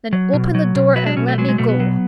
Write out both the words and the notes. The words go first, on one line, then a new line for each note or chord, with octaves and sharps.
"Then open the door and let me go."
F#3
B2
F#3
B2
F#3 B4
D4
B2 C#4
A3
F#3 G#3
G#3
B2 A3
B3
F#3